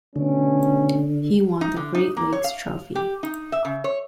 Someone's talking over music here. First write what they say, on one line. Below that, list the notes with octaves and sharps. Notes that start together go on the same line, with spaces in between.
He won the Great Lakes Trophy.
B2 D3 A3 C#4
D#4
D3
D#4
A#3
C#5
F5
G4
D#4
E5
C#3
C#5